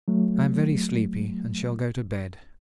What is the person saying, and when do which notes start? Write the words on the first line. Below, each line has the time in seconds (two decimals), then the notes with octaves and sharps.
I am very sleepy and shall go to bed....
0.08 F#3 A3